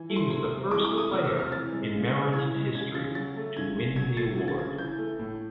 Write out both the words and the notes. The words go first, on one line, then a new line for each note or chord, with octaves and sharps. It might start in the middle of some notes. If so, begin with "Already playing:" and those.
He was the first player in Maryland history to win the award.
Already playing: E3
A3
C6
C3 C6
C3
E3 D6
D6
A3
D#6
C3 F6
E6
C3
F6
E3 A6
G#3
C#3
C#3
E3 G#6
G#3
C#3 G#6
C#3 A6
F#3 A6
A3
C#3 G#6
C#3
F#3 G#6
A3 A6
C#3 G#6
A6
C#3 G#6
E3 G6
A3
A2